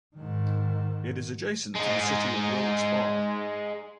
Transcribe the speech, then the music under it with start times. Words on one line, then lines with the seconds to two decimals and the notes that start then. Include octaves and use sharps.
It is adjacent to the city of Wilkes-Barre.
0.15 G#2 D#3
1.76 G#3 D#4